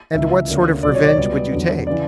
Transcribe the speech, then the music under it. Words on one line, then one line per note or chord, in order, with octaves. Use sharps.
"And what sort of revenge would you take?"
C#2 C#3 E3 E5
D2 D3 A#3 C#4
C#2 B2 F#3 D5
C#5
D5
C#2 B2 G3 B3 D5
E2 D3 F#3 C#4
C#3 E3 D5